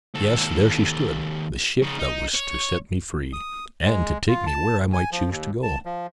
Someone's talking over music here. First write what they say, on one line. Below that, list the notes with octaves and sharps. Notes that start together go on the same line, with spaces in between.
Yes, there she stood, the ship that was to set me free, and to take me where I might choose to go.
D#2 A4
C#3 D#4
D#4
C#5
D#6
G#3
F4
A5
G#5
F3
D#2
A5
F3